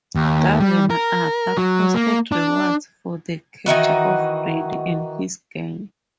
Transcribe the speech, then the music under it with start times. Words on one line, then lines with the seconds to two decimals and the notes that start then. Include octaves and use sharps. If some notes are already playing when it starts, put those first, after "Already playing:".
Governor Arthur posted rewards for the capture of Brady and his gang.
0.15 D#2
0.60 G3
0.90 A#4
1.57 F#3
1.94 A#3
2.32 D4
3.66 D#3 E3 D#4 F#4